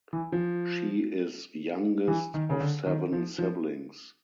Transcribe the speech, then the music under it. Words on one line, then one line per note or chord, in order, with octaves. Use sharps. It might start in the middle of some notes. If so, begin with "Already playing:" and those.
She is youngest of seven siblings.
E3
F3
E3
D#3
C#3
D3
D#3
F3
F3